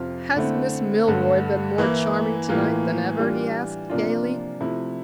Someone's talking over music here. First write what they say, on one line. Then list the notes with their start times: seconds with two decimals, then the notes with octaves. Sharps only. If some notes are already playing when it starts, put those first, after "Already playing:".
"Has Miss Milroy been more charming to-night than ever?" he asked, gayly.
Already playing: F2 C3 F3 C4 F4
0.36 D3 A3 C4 E4
1.07 G2 D3 A3
1.78 E3 A#3 E4
2.49 A2 E3 A#3 F4
3.18 E3 G3 D4 F4
3.90 C3 F3 A#3 D4 F4
4.61 C3 F3 A3 E4